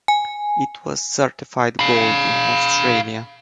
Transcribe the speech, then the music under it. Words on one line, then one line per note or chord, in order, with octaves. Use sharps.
It was certified Gold in Australia.
G#5
F5 B5